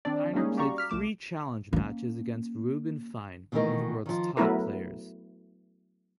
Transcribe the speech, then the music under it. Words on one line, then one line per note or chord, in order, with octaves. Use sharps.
Steiner played three challenge matches against Reuben Fine, one of the world's top players.
D#3 C4 D4 D5
G3 G#3 A#3 C#4 D#4 G#4
F#4 G4 D5 F5 A#5 C#6
D6 F6 B6
C2 A3 D6 E7
A#3 C#4
B2 D#3 E3 A3 D#4 A#4
D#3 F3
F#3 A3 B3 E4 A#4 B4